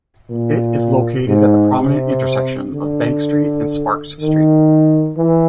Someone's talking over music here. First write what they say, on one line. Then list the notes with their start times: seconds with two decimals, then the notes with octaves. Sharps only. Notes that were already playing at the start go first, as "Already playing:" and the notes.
It is located at the prominent intersection of Bank Street and Sparks Street.
0.30 A#2
1.27 G#2
1.76 C3
2.73 D3
4.20 D#3
5.17 E3